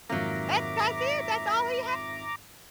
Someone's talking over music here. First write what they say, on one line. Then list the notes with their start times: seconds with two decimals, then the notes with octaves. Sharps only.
that's that's it! That's all he
0.09 F2 G#2 D#3 F#3 A#3 E5 A#5 D6